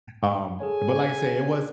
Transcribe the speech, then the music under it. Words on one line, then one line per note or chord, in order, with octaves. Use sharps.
um, but, like I say, it was
G#4 A4 C#5 G#5